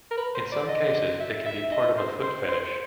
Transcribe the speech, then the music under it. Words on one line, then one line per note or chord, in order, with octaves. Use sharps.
In some cases it can be part of a foot fetish.
A#4
B4
C5
D5
D#5
E5
E5
D#5
C5
C5
C5